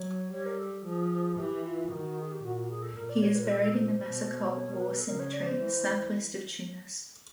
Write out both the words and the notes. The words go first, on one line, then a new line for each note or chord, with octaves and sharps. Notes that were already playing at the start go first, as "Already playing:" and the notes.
He is buried in the Massicault War Cemetery, southwest of Tunis.
Already playing: F#3 C#5
G3 C#5
A#4
A4
F3 G#4
E3 G4
F4
D#3 F#4
G#4
G4
A#2 F#4
F#4
G#4
A4
A#2 A#4
D5
C#5
B4
A#4
A4
A4
C5
C5
B2
C5
C#5
A#4
B4
A4
C#3 A#4
C#5
D5
C5
E3